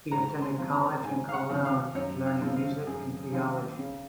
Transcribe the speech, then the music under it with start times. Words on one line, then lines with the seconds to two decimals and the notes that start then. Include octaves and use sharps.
He attended college in Cologne, learning music and theology.
0.11 G#2 A#5
0.42 C6
0.58 F3 C4
0.72 A#5
1.03 G#2 G#5
1.29 F5
1.33 F#5
1.49 F3 C4
1.65 F5
1.95 F#2 C#5
2.26 F5
2.41 C#3 F3 C4
2.57 F5
2.87 F#2 G#4
3.32 C#3 F3 C4
3.79 C#3